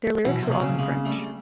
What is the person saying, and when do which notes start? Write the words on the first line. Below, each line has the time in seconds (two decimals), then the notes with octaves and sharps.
Their lyrics were all in French.
0.25 B2 E3 F#3
0.42 C3
0.52 G#3 A#3
0.61 C#3
0.79 G#3 A#3
1.05 G3 A3